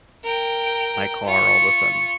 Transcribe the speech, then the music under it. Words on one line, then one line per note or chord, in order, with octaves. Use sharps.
my car all of a sudden s
A#4 G5
F4 C#6